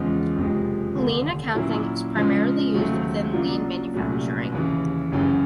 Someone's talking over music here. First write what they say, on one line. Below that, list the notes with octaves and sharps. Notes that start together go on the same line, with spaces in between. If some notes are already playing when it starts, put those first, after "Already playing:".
Lean accounting is primarily used within lean manufacturing.
Already playing: E2 C#3 F3 G#3
F#1 F2 C3 F3 G#3
F1 D#2 D3
A#2 F#3 A#3 C#4 E4
C#3 F3 G#3
D#2 C#3 F#3 A3 C4
C#3 F#3 A#3 D4 F4
C2 A#2 F#3 A3 C#4
D#2 C#3 E3
F#1 F#2 C#3 E3